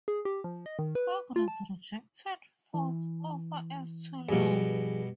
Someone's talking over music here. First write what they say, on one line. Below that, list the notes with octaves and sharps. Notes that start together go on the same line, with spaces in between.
Congress rejected Ford's offer as too low.
G#4
G4
F3
D#5
D#3
B4
F4
A5
E3
G2 B2 F3 G#4